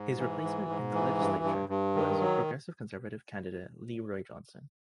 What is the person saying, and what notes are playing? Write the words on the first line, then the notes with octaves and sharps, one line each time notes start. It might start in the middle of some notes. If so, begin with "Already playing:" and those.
His replacement in the legislature was Progressive Conservative candidate LeRoy Johnson.
Already playing: G#2
E3
G#2
G#2
E3
G2
G2
G2
D#3
F#3